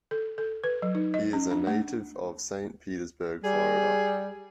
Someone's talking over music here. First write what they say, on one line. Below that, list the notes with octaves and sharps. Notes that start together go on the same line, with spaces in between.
He is a native of Saint Petersburg, Florida.
A4
A4
B4
F#3
D#4
D#5
C#4
D4
A3
G3 G#4